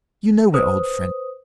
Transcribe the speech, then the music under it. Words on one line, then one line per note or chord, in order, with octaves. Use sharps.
You know we are old friends.
B4 C5 D#6